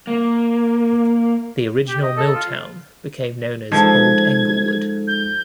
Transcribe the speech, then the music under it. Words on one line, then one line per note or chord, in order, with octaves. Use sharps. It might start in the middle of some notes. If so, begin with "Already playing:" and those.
The original milltown became known as "Old Englewood".
A#3
G4
D#5
A4
F4
F3 G#3 D#4 A4 G#6
G6